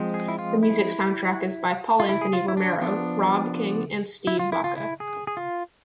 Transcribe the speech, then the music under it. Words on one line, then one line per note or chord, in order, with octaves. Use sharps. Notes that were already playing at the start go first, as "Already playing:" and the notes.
The music soundtrack is by Paul Anthony Romero, Rob King and Steve Baca.
Already playing: F3 G#3 C4
G#4
E4
F4
E4
F4
E4
G#4
F4
E4
D4
F3 B3 D4
E4
F4
E4
F4
E4
G#4
G#4
F4